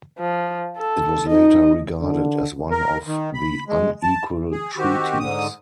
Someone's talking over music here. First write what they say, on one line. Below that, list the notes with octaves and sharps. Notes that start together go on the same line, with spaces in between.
It was later regarded as one of the "Unequal Treaties".
F3
A4
D#4 D#5
D3
A#4
D#3
B5
G#3
A5
G#4
D#3 C4 F#4 G4
G#2 D3 D#6